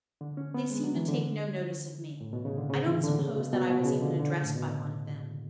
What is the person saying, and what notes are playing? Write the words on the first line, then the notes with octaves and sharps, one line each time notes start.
They seemed to take no notice of me; I don't suppose that I was even addressed by one of them.
D3
C#4
B3
G#3
F#3
E3
D3
A2
B2
C#3
D3
C#3
E3
D3
C#3
B2
B2
B2
C#3
D3
D3
C#3
A2
B2